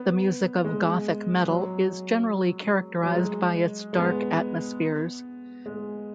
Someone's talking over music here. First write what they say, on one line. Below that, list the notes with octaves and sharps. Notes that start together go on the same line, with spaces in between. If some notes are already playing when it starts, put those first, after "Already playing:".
The music of gothic metal is generally characterised by its dark atmospheres.
Already playing: B3
G#3
F#3
F#3
G#3
G#3
B3
G#3